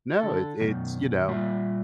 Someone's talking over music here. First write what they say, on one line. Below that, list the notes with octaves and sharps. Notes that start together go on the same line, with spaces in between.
No it it's you know,
D3 A4
F#2 B2 D#3
A#2 G3 A#3 F4 E5